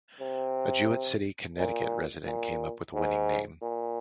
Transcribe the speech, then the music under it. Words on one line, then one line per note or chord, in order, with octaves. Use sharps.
A Jewett City, Connecticut resident, came up with the winning name.
C3
A#2
A#2
G#2
A#2